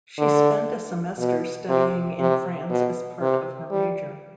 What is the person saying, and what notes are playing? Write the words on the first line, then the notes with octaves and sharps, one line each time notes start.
She spent a semester studying in France as part of her major.
D3
B2
C3
C3
B2
C3
G3